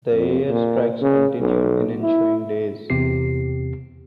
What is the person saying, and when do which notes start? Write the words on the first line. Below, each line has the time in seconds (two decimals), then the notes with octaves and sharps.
The air strikes continued in ensuing days.
0.12 F2
0.48 A#2
1.02 C#3
1.40 B1
2.01 E4
2.90 E2 C3 G4 C7